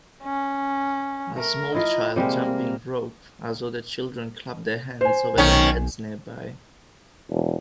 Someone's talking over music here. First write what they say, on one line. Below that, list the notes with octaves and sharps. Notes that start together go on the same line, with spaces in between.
A small child jumping rope as other children clap their hands over their heads nearby.
C#4
A3 A#4
E4 F4 A#4 D#5
C3 G3 G#3 A#3
C5 G#5
B1 D#3 C#4
E1